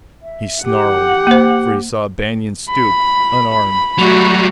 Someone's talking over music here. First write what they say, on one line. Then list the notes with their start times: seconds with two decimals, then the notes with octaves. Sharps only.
He snarled, for he saw Banion stoop, unarmed.
0.22 E5
0.63 G4 F#5
1.27 A#3 C5
2.71 B5
3.98 F#3 G3 A3 F#4